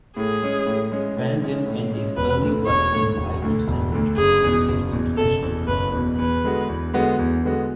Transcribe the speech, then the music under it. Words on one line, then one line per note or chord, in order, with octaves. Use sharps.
Van den Ende's early work in live entertainment received international critical acclaim.
A2 G#4
G#3 C#4
A2
G#3 C#4
A2
G#3 C#4
A2
G#3 C#4
E1 B4
D2 D3
E1 C#5
D2 D3
E1
D2 D3
E1
D2 D3
F#1 G#4
E2 B2
F#1
E2 B2
F#1 A4
E2 B2
F#1 B4
E2 B2
E2 B4
D3 G#3 B3 F#4
E2
D3 G#3 B3 F#4
E2
D3 G#3 B3 F#4